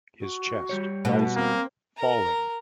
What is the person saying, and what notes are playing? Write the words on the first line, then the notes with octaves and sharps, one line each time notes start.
His chest rising, falling.
F#4
G3 G4 C#5
B2 A3
A#3 C4
A#4 A#5